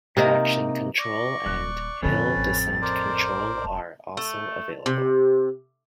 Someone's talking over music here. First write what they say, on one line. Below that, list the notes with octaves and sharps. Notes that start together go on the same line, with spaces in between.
Traction control and hill-descent control are also available.
C3 A#3 D#4
D5 C#6 A#6
D#1 F#6
F2 A2 D3 C#4 B4 A6
A1
A#4 C5 D5
F1 A5
A3
C3